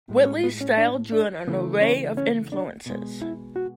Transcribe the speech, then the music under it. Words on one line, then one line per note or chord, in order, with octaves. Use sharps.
Whitley's style drew on an array of influences.
A2 G#3
C#4
B3
C#4
D4
D4
C#3 E3 A3 B3
C#4
C#4
D4
B2 G#3
E4
F#4